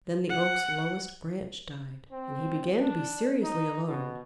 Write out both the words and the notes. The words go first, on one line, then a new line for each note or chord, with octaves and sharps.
Then the Oak's lowest branch died, and he began to be seriously alarmed.
F#5
C4
D4
D#4
B2